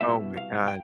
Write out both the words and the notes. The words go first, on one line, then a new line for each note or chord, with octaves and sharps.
Oh my god.
C2 B2 G3 B3 E4 E5
F5
G5